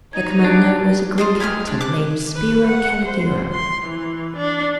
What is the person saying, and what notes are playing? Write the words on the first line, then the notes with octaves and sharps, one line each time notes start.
The commander was a Greek captain named Spiro Calligero.
D#4 G#6 D#7
D4 F#6
F4 D#5 C6
G4 G#4 C6 F6
D4
D6 F#6
B4
F#5
C5
C6
E3
D4